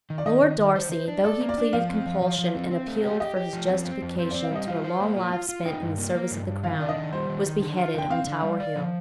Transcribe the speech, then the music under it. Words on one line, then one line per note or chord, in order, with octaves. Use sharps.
Lord Darcy, though he pleaded compulsion, and appealed for his justification to a long life spent in the service of the crown, was beheaded on Tower Hill.
D#3
D5
D#3 D#5
D#3
D#3
C5
C5
D4
A4 D5
A#3
D5
D4
F3 F5
C4
F3
F3
F3
C4
C4
A3
G4
G4 D#5
G4
F3
C4
C4
F2
C4 C5
C4 D5
F5
G3 D#5
F4 F5
C5
A#3
F4
F4
F4
D#4 G5
G2
A#3
A#3
G2
G2
D#3 F5
D4 D5
D#5
D#3
G3 C5
D#3
D#3
D3
F4
D3 G5
C4 F5
D3
G3
D5
F3